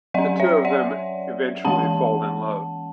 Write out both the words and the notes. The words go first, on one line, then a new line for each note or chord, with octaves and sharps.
The two of them eventually fall in love.
F#3 C#4 D5 F#5
C#5 E5
D5 F#5
E3 G#3 C#4 F#5 A5